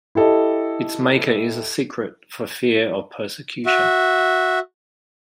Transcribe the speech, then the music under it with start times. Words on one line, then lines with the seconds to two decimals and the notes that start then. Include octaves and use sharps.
Its maker is a secret for fear of persecution.
0.15 E4 G4 A4 D#5
3.66 F#4 E5